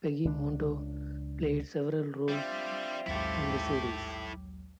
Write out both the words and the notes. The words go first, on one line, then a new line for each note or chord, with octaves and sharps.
Peggy Mondo played several roles in the series.
C#2 D4
G3 C4 D4 F4 E5
A#1 D#2 G#2 F#3 E4 G4 A4